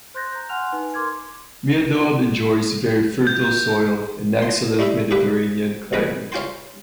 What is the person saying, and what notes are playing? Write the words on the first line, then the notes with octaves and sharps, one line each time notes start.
Miandoab enjoys very fertile soil and excellent Mediterranean climate.
C5 C6 F#6 G6 A6 A#6
A#5 G6
F#5 G#5 C6 F6 F#6 F7
D#4 B4 G#5
A#4 C6 D6 F6 G#6
G6
C6
G3 A3 D#4 E4 E5
G2 D3 A#3 G4 B4 E5
A#1 B3 G#4 A#4 B4 D#5
C#2 C#4 F4 G5 G#5 C6